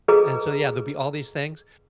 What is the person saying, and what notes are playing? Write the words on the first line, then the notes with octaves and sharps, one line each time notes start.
And so yeah, there'll be all these things,
G#4 A4 B4 D#5 A#5